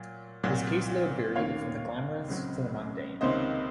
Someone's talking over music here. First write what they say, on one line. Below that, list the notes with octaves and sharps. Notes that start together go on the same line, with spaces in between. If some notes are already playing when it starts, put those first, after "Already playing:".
His case load varied from the glamorous to the mundane.
Already playing: A#2 F#3
C2 A#2 F#3
D#2 D#3 A#3 C#4 C#5 F5
C#2 C#3 F#3 C4
C#2 C3 D#3 A#3 C#4 C5 D#5